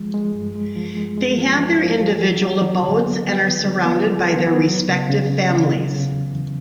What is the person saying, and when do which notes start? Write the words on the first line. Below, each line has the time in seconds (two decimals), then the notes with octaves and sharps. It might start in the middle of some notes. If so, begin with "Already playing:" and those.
They have their individual abodes and are surrounded by their respective families.
Already playing: F3 G#3
0.14 G#3
0.35 G2
0.56 G#3
0.76 F3
0.97 G#3
1.17 G#3
1.38 F3
1.59 F3
1.79 F3
2.00 F3
2.21 F#3
2.42 F#3
2.62 F#3
2.83 D3
3.03 B3
3.24 B3
3.44 B3
3.64 D3
3.86 B3
4.06 F#3
4.27 B3
4.47 B3
4.68 F#3
4.88 C#3
5.09 C#3
5.30 C#3
5.50 C#3
5.71 F#3
5.91 C#3
6.12 E2
6.33 E2